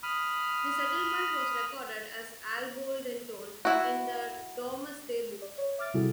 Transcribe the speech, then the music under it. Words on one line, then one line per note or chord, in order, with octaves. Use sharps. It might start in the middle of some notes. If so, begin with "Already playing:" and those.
The settlement was recorded as Alboldintone in the "Domesday Book".
B5 D#6 F6
E4 F#4
D5
C#5
E5 D6 F6 A6 D7
C3 G3 E4 F#4 G#4 A4